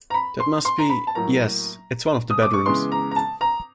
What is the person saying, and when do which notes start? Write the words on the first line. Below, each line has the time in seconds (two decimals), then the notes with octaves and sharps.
That must be — yes — it's one of the bedrooms.
0.10 A#5
0.14 B5
0.40 C6
0.65 C6
0.79 A#5
0.89 B5
1.07 A5
1.15 A2 F#3 A#3 A#5
2.30 D#6
2.42 D6
2.53 C#6
2.66 C#3 E3 G#3 B3 C6
2.92 A#5
3.11 A#5
3.16 A5
3.41 A#5